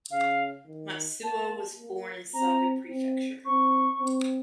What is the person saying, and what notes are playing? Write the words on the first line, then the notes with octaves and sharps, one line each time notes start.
Matsuo was born in Saga Prefecture.
C#3 F5
D#3
A#3 A5
A#3
C4 A#5
C4
C4 C#6
C4